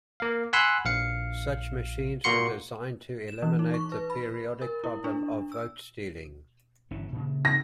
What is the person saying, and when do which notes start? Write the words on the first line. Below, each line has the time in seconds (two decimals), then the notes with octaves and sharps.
Such machines were designed to eliminate the periodic problem of vote-stealing.
0.20 A#3 F5
0.53 F#5 G#5 B5 C6 E6 F#6
0.85 A#1 F5 C#7
2.24 A#2 A#3 F#4 C6 C#7
3.28 E7
3.42 E3
3.59 D#4
3.74 C#6
3.92 B4
4.10 B5
4.62 A#4
4.84 E4
5.04 D4
5.52 E6
6.91 G1 E3 C#4
7.13 A#2 C#3
7.45 A#6